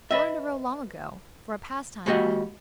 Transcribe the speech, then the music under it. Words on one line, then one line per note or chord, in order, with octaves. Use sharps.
I learned to row long ago--for a pastime then.
B4 D#5 E5
G#3 A#3 F#4 G4 D#5 F#5